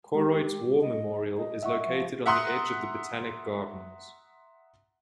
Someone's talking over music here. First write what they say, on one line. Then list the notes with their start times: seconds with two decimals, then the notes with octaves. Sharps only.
Koroit's War Memorial is located on the edge of the Botanic Gardens.
0.14 G#3 G4
0.81 D#5
1.37 D#5
1.63 E5 F#5 C#6
1.86 F3
2.26 E5 F#5 A#5 C6 D#6 F#6